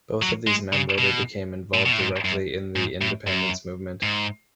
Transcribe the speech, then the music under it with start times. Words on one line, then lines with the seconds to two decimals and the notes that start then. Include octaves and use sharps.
Both of these men later became involved directly in the independence movement.
0.22 F#3
0.47 G#3
0.73 C#3
0.98 B2
1.74 A2
1.85 B2
1.92 A2
2.00 G#2
2.25 F#2
2.76 G#2
3.01 A2
3.27 F#2
4.03 G#2